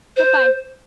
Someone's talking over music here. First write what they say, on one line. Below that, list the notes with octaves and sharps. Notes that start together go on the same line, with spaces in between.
Bye bye.
C5